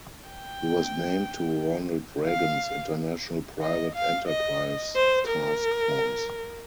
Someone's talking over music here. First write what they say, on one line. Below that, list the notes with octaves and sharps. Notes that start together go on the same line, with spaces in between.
He was named to Ronald Reagan’s International Private Enterprise Task Force.
G5
F5
D#5
F5
D#5
C5
A#4